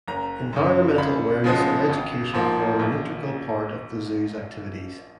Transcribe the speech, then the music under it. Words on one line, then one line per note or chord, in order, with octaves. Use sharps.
Environmental awareness and education form an integral part of the zoo's activities.
F#1 A#5
F#2 C#3
C#2 B5
C#3 F3 G#3 B3
G#1
G#2 F3 A#3
A#1